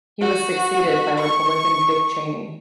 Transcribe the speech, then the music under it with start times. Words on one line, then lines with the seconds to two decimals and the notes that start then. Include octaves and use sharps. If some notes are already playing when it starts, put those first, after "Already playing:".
He was succeeded by Republican Dick Cheney.
0.21 F#4
1.18 C#6